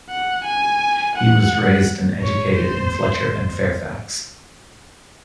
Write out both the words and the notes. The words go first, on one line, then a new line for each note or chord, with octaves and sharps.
He was raised and educated in Fletcher and Fairfax.
F#5
G#5
F#5
C#5
C5